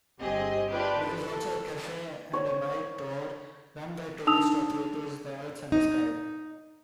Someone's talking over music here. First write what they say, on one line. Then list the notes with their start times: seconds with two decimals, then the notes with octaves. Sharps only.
There is also a cafe and night-tours run by tourist operators, Earth and Sky.
0.19 G1 C4 G4 G#4 D#5
0.71 D4 F4 G4 B4 D5
1.03 A4
2.33 C#5
4.27 D4 D#4 A5 D#6 E6 F7
5.72 D#4